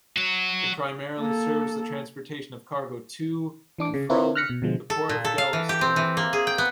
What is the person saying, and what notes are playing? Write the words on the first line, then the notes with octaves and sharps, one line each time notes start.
It primarily serves the transportation of cargo to and from the Port of Galveston.
F#3 F#4
A#3 A4
E3 D4 D6
C#3
C4 E4 F4 A#4 B4 C#5
F6 F#6 A#6 B6 C#7
B2
B2 D3 F3 G#3
A4
A#2
A4
F5
E3
G4
C4
E3
A#3
G#4
G5
B3